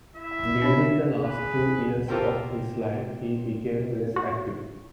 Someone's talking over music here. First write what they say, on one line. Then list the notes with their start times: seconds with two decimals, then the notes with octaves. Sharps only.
During the last two years of his life, he became less active.
0.16 E4 E5
0.62 D4 C#5 B5
1.24 G#4 B4
2.08 F4 G4 A4 A#4 C5 G5
4.16 F#4